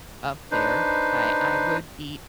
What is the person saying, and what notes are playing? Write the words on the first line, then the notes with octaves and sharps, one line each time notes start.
up there. I I would eat
D4 D#4 B4 C5